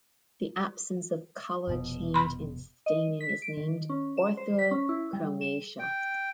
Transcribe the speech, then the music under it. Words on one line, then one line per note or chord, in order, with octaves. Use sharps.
The absence of color change in staining is named orthochromasia.
F1 B2
B5 C6
D#5
B6
D7
D#3
C#4
E7
C5
B6
C#4
E4
G3
E7
G5